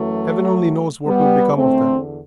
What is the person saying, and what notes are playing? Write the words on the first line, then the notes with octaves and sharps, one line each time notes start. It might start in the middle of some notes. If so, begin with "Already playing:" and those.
Heaven only knows what will become of them...
Already playing: F#2 E3 F#3 A3
G3 B3
E2 D3 A3 C4